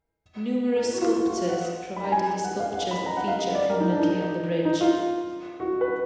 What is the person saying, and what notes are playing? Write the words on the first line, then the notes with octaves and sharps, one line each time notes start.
Numerous sculptors provided the sculptures that feature prominently on the bridge.
A#4
B4
F#4
F4
F4
F#4
F5
F#5
B5
A#5
G#5
F#5
F5
F#5
B5
A#5
F#5
F5
D#5
D5
A#4
D#4
D4
D#4
D#4
F4
F#4
B4